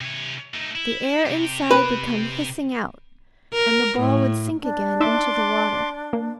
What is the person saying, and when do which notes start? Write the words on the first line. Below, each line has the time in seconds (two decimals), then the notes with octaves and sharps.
The air inside would come hissing out, and the ball would sink again into the water.
0.01 C3 C#5
0.54 A3 D#4
0.75 E4
1.25 C3 G4
1.71 B4
3.53 A#4
4.00 A2
4.61 D4
5.00 D#4 E5 C6 D6
6.13 A#3